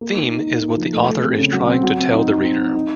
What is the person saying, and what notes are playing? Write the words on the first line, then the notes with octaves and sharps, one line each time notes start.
Theme is what the author is trying to tell the reader.
A#3
D#4
D#4
D#4
A#3
F3
A3
A3
C4
C#3
F#3
C4
F#3
C4
D#4
D#4
C4
C4
D#4